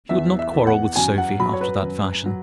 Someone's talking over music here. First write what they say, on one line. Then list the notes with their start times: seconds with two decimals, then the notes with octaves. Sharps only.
She would not quarrel with Sophie after that fashion.
0.09 E2 E5
0.39 E5
0.53 E2
0.67 F#5
0.96 F#2 G#5
1.18 F#5
1.40 F#3 B5
1.53 C#5
1.61 B4
1.83 F#2
2.26 F#3